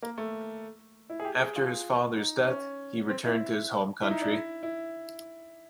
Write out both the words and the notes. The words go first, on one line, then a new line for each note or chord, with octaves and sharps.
After his father's death he returned to his home country.
A#3
A3
E4
G#4
G4
G#4
F4
D#4
C#4
C4
E4
E4
D#4
D4
E4
E4